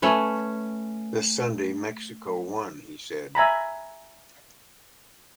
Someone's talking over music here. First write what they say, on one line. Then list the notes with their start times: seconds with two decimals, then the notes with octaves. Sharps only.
"This Sunday, Mexico won," he said.
0.02 A3 C#4 B4
3.35 E5 G#5 A#5 B5